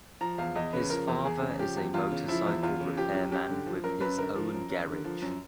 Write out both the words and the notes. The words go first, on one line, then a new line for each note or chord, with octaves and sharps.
His father is a motorcycle repairman with his own garage.
F3 A#5
E2 F5
E2 D#5
C#3 B4
F3 A#4
E2
E2 G#4
C#3
F3 G4
E2
E2 F4
C#3
F3 E4
E2
E2 F4
C#3
F3 G4
F#2
F#2 G4
D3
F3
F#2 A#4
F#2 B4
D3 A#4
F3
F#2
F#2
D3
F3
F#2